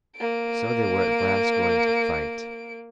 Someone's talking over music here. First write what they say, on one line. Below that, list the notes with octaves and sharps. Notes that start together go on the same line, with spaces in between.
So they were at last going to fight.
A#3 D7